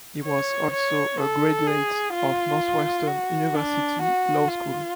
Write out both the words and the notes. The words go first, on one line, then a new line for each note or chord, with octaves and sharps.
He was also a graduate of Northwestern University Law School.
C#5
C#5
A4
G#4
F4
F#4
D4
F#4
F4